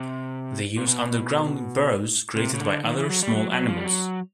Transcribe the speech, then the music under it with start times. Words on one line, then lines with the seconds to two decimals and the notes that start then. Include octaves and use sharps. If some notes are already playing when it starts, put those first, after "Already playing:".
They use underground burrows created by other small animals.
Already playing: C3
0.78 A#2
0.87 B2
2.36 C3
2.54 C#3
2.60 D3
2.85 D#3
2.98 E3
3.10 F#3
3.23 G3
3.35 F#3
3.51 F#3
3.68 F3
3.77 G3
3.84 F#3